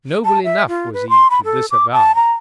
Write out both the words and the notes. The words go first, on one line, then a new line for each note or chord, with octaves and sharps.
Noble enough was he to disavow!
A5
E5
F4
B4
C6
B5
A4
D6
A5
A#5